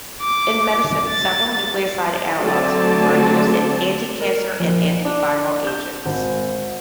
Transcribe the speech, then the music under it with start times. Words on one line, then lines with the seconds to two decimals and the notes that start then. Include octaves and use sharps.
In medicine, several nucleoside analogues are used as anticancer and antiviral agents.
0.22 D6
1.09 A6
2.40 D3 F#3 A3 C4 D5 A5
4.21 A#4
4.60 A#1
5.05 D4
5.67 G6
6.06 G#1